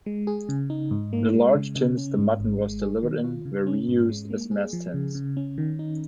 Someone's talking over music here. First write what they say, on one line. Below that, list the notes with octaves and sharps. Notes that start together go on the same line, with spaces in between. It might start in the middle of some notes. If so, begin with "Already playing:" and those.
The large tins the mutton was delivered in were reused as mess tins.
G#3
G#4
C#3
D#4
G#2
A#3
G#3
C#3
C#3
C#4
G#2
G#1
G#3
G#4
D#3
F4
C#3
C#4
G#2
G#3
A#3
G#4
F3
C#3
C#3
C#4
D#3
D#4